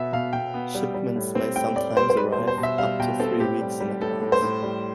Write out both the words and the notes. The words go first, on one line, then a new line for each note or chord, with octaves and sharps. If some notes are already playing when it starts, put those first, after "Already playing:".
Shipments may sometimes arrive up to three weeks in advance.
Already playing: B2 B3 E5
B2 F5
B2 G5
B3
G3
G3
A2
C4
A2 G5
A2 D5
G3 C5
C5
G3 B4
C5
B2
C5
B2
E5
G3 F5
B2 G5
C4 A4
A2 G4
G3
G3
A2 A4
A2
C5
A2
G3